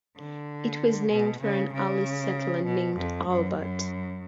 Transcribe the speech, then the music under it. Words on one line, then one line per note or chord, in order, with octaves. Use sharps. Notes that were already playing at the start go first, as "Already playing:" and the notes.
It was named for an early settler named Albert.
D3
B2
C#3
C#3
B2
F2
F#2
F#2